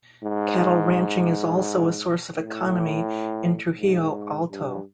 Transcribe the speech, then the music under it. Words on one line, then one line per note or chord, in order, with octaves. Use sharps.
Cattle ranching is also a source of economy in Trujillo Alto.
G#2
A2
G#2
G2